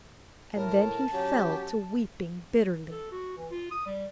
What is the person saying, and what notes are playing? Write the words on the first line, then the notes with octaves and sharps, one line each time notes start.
And then he fell to weeping bitterly.
A2 A#4 A5
F#3 C#4 G4
A4
F#4
E3
F4
D#6
G3